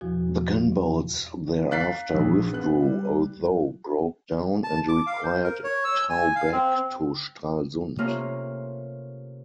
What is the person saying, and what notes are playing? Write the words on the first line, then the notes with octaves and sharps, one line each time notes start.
The gunboats thereafter withdrew, although broke down and required a tow back to Stralsund.
E2 B2 F3 F#4
F5 A#5 F#6 A6 B6 C7
A#1
B3 F#6
G3
A5
D6
F5
C5
A#4
C#5
E6
G#5
F5
C4
C3 A3 A#3 C#4 F4 A#4